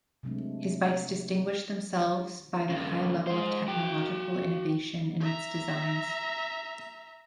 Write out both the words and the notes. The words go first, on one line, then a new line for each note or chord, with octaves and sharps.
His bikes distinguished themselves by the high level of technological innovation in its designs.
C3 F#3 G#3 A3 C4 D4
G2 C#3
G#3 C5
F#4 G5
E5 A#5